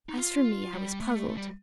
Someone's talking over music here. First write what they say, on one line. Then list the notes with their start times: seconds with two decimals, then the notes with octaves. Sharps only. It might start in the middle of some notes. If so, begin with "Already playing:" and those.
As for me, I was puzzled.
0.09 D#4
0.18 F4
0.73 G3
1.01 A3
1.28 A3
1.37 G3